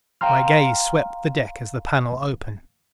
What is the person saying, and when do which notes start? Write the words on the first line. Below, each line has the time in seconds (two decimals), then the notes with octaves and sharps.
My gaze swept the deck as the panel opened.
0.21 F5 G5 A#5 C6 F6